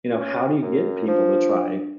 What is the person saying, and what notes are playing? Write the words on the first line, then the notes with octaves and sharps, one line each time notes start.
you know, how do you get people to try,
C#4
F#2
F3 D4